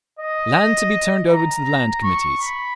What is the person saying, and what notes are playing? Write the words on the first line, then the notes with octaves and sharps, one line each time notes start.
Land to be turned over to the Land Committees.
D#5
A#5
C#6
B5